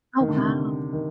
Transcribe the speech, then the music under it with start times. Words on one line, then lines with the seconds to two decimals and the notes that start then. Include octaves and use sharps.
Oh, wow.
0.21 D#3
0.29 D3
0.36 C3
0.45 D3
0.93 D#3